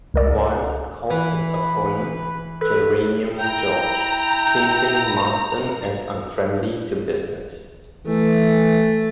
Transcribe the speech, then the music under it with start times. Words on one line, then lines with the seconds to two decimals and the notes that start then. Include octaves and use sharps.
Wilde called his opponent "Geranium George", painting Marston as unfriendly to business.
0.14 C#2 A#4 D5 E6
1.10 E3 B4
2.61 A4 B4
3.39 E4 G5 A#5
8.06 E3 A3